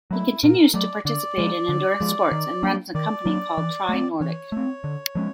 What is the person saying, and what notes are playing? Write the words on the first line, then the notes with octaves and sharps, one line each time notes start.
He continues to participate in endurance sports and runs a company called Tri Nordic.
F#3 A3 E4
A#2 A#4
F#3 A3 D5
D3 D5
F3 G#3
D3
F3 G#3
D#3
F#3 A#3 D4
D#3 D5
F#3 A#3 D4
E3
A3 C4
E3 C#5
A3 C4
D3
F3 G#3 C#4